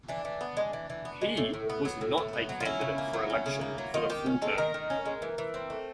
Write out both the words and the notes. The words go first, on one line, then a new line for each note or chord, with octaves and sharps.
He was not a candidate for election for the full term.
E3 D4
E3
B3
G#3
E3
E3
B3
G#3
A2
A2
B3
F#3
A2
A2
B3
F#3
F4
C#4 E4
C#3
A#3
F#3
C#4
C#3
A#3
F#3
D#3 F4
D#3 G4
C#4
G#3 A4
D#3 A#4
D#3
C#4
G#3
E3
E3
C4
A3